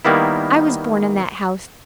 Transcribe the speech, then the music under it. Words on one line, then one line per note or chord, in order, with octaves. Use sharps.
I was born in that house.
D#3 G3 A#3 B3 E4